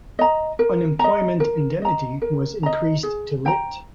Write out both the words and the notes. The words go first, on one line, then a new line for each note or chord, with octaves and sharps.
Unemployment indemnity was increased to Lit.
D#5 A#5
A#4
D#5 A#5
A#4
D#5 A#5
A#4
D#5 A#5
G#4
C5 G5 A#5